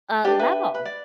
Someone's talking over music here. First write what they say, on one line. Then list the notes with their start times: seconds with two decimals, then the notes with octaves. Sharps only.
uh, level.
0.24 D4 G4 B4 D5
0.39 B4 E5
0.74 B4
0.85 D5